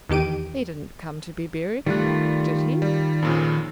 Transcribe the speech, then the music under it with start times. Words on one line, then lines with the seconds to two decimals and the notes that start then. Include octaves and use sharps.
"He didn't come to be buried;--did he?"
0.09 E2 D#3 G4 D7 D#7
1.86 D#3 G3 A3 F4 F#6
2.82 G3
3.22 F2 A#2 C#3